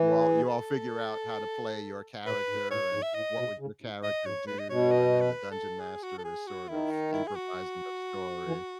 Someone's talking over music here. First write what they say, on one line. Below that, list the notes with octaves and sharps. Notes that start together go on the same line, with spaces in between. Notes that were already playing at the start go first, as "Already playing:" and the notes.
you all you all figure out how to play your character and what would your character do, and then the Dungeon Master is sort of improvising a story.
Already playing: E3
G#4
A4
A2 B4
G#2
A2 C#5
G#2
E5
A2 D#5
B2
C#3
A2
A2 D#5
G#2 C#5
A2 B4
D#5
B2 C#5
D#5
B4
A4
G#4
F#4
A4
G#4
F#4
D#3 E4
D#4
E4
G#4
F#4
E3